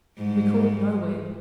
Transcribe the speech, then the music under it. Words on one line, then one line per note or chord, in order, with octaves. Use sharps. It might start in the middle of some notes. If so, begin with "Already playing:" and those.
'We called nowhere.
G#2 G3 G#3